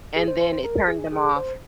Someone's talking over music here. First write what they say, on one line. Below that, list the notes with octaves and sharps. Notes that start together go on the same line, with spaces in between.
and then it turned them off.
G#4
C5
C5
C5
A#4
G#4
G#4
C5